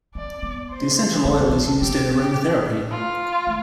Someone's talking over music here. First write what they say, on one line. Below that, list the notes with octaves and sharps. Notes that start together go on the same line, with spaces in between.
The essential oil is used in aromatherapy.
C4 D5
B3
C5
C4 A4
B3
C4
C4 G4
F4
A3